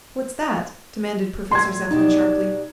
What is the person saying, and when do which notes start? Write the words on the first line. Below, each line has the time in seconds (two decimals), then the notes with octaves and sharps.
"What's that?" demanded Professor Zepplin sharply.
1.51 D2 A2 C6 G#6
1.91 B2 D4 D#4 G4